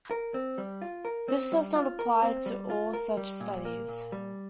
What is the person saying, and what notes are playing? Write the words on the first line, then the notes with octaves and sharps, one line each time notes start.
This does not apply to all such studies.
A#4
C4
G3
F4
A#4
C4
G3
F4
A#4
C4
G3
F4
A#4
G3
A#2
A#3
A#2
G3